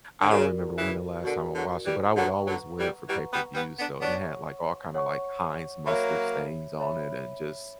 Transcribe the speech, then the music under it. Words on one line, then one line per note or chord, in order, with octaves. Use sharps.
I don't remember when the last time I watched it but I would always wear it for pay-per-views, though, and it had, like, all kinda, like, Heinz mustard stains on it and just
D3
C#3 F#4 A#4 D5
C#3 E3
B2 D3 F#4 A#4 D5
D3 F#3
E3 G3
D3 F#3 B4 F#5 A#5 C#6
D3 F#3
E3 G3
E3 G3 B4 F#5 A#5 C#6
G3 B3
G3 B3
B3 D4
B3 D4 C#5 F#5 C#6
C#5 F#5 C#6
F#3 A#3 C#5 E5 B5
C#5 E5 B5